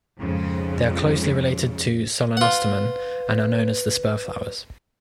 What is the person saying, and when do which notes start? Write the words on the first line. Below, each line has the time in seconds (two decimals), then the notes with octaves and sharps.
They are closely related to "Solenostemon" and are known as the spurflowers.
0.18 F2 G#2 C#3
2.37 F4 B4 F#5